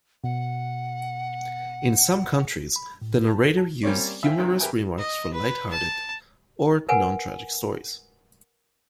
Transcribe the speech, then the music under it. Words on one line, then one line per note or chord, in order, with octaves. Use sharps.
In some countries, the narrator used humorous remarks for light-hearted or non-tragic stories.
B2 F#5
B5
A2
A5
A4
A5
G3 A#3 C4 C#4 C#5 D5
E5 F5 G5 G#5
G2 C3 D#3 F#3 A#3 C4
G4 A#4 B4 E5 G5 G#5
D#5
B4
A5
A#4 B4 F#5 G#5